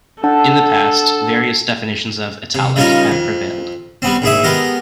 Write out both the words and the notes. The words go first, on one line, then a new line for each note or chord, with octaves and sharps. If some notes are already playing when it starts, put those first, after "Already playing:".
In the past, various definitions of "Italic" have prevailed.
D4 A4 F#5 A5
C3
C#3 G3 C#4 D#4 F4 A#4
F2
G3 B3 C4
A#1 G#2 G#4 E5
G#3 B3 G4 A#4